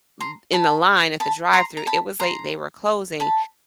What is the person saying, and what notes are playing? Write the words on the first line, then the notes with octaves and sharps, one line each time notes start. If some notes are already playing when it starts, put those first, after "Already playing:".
th in the line at the drive-thru, it was late, they were closing,
A#5 C6
A5 B5
A5 B5
A#5 C6
A#5
A5 B5
A#5 C6
A5 B5